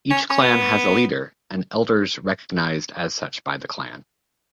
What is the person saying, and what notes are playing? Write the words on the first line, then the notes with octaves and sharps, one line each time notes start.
Each Clan has a Leader and Elders recognized as such by the Clan.
C#4
C#4
B3